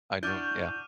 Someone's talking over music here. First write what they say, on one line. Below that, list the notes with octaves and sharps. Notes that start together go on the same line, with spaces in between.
I do, yeah.
D4 E4 F#4 D6 F6 G6 D#7